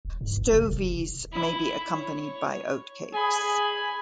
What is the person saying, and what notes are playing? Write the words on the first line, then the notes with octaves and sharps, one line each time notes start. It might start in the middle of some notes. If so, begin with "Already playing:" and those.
Stovies may be accompanied by oatcakes.
D1
G2
F1
C3
F1
E4
C#5
G#4 G#5 B5